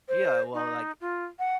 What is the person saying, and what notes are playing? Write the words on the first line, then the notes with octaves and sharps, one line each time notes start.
Yeah. Well, like
C5
D#4
F4
F#5